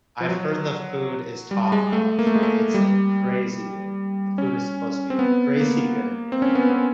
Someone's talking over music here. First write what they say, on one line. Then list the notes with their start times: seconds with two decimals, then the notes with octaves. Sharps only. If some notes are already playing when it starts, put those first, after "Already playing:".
I've heard the food is top-notch. Yeah, it's like crazy good. The food is supposed to be, like, crazy good in Italy, like
0.21 F3
0.29 F#3
1.51 G3
1.72 G#3
1.93 A3
2.19 A#3
2.27 A3
2.35 G#3
2.43 A3
2.74 G3
4.38 C#4
5.10 C4
5.19 B3
5.60 A#3
6.32 C4
6.42 C#4
6.55 B3
6.70 B3